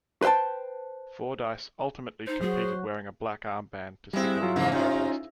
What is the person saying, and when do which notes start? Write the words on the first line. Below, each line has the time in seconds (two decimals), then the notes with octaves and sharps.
Fordyce ultimately competed wearing a black armband to signal his protest.
0.22 B4 C5 E5 G5 A5
2.27 D#4 C5
2.41 F#3 F#4 G#4
4.13 G3 G#3 C4 E4
4.42 F#3 F4
4.56 F2 G#2 C#3 E3 F3 A#3
4.72 C3 C#4 D#4 F4